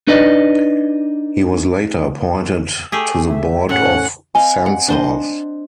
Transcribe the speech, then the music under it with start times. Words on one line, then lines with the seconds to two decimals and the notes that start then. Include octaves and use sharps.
He was later appointed to the Board of Censors.
0.07 D4 D#4 B4 D5 D#5
2.92 A3 G4 G#4 G#5
3.28 E5
3.69 A2 C#4 F#5
4.35 C4 D#5 F5 G#5
4.66 F#5
4.88 D4 C5 D#5